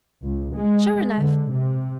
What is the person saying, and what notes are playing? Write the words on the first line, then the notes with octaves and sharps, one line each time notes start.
Sure enough.
C#2
G#3
D3
C3